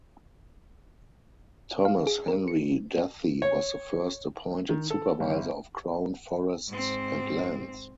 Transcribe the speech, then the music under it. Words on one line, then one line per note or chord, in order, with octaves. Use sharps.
Thomas Henry Duthie was the first appointed Supervisor of Crown Forests and Lands.
F5
G#4
A#4
C#7
C#5
D#3
A4
G1
G#2 C4